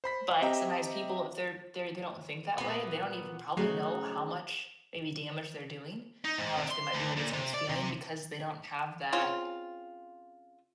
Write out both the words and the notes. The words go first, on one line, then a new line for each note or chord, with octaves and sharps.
but sometimes people, if they're they're they don't think that way, they don't even probably know how much maybe damage they're doing or how much they might be hurting someone's feeling because they don't have that
C5 B5 B6
C4 G4 D#5 E5 G5 A#5
A#2 B3
C#3 F#3 A3 D#4 F#4
D#4
G#2
C3
C6
D2
A#2
C3
D5
C3
C#3 C4 F4